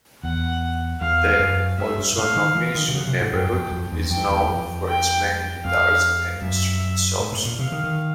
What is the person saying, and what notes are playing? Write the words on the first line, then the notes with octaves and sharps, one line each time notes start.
The Ochanomizu neighborhood is known for its many guitar and instrument shops.
E2 F#5
E2 F5
F#2
G2 E5
G2
A2 F5
D#3
E3
D#3
C3
C#3 F#5
C3
G#2
F#2 G5
F2
F2
E2
F2 G5
E2
F2
G5
F2 F5
F#2 E5
G#2
A2
A#2
C3 F5
D#3
D#3